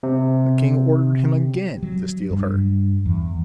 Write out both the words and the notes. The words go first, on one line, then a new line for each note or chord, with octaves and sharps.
The king ordered him again to steal her.
C3
F#3
G2
E2